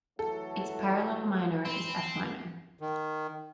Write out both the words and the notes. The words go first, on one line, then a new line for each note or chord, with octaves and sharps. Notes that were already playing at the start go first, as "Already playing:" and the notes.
Its parallel minor is F minor.
E3 F#3 A3 A4
C4 B5
D#3